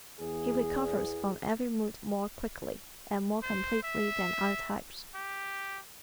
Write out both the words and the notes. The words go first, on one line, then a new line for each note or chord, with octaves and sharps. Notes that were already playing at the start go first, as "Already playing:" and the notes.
He recovers from every mood more quickly and more completely than other types.
E2 G#4
C5
E5
G4